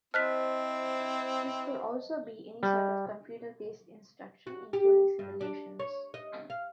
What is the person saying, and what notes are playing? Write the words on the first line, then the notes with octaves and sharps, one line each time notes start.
This could also be any sort of computer-based instruction, including simulations.
C4 E4 C5 D#5 A5 F6 F#6 B6
G3
F#4
G4
G2
D4
C#5
D#5
F5